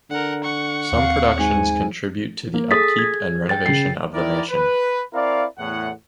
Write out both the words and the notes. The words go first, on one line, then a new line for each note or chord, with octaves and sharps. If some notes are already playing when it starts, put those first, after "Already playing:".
Some productions contribute to the upkeep and renovation of the mansion.
D3 A#4 F#5
F#5 C#6
D#2 C4 F5
G#2 G#5
A#3
G#4 A4 D#6 A6 B6
G#6
G5 A6
C#3 C7
D#3 E4 A#4 D5
B4
C4 E4 A#4 D5 F5
E2 A2 F#5